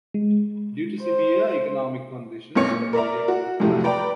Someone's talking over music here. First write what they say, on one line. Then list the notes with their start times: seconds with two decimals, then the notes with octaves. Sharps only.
Due to severe economic conditions the project was abandoned.
0.14 G#3
1.01 C5
2.55 B1 C4 C#5 C#7
2.70 A#2
2.93 A#4 D5 E5 A#5
3.28 F#4
3.60 F2 A2 C3 F3 F#3 A3
3.84 B4 D5 G5 A#5 B5